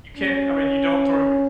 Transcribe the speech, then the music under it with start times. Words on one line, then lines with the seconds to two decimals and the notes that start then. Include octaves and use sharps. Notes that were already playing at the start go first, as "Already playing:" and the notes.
you can't, I mean, you don't throw you
0.17 C#4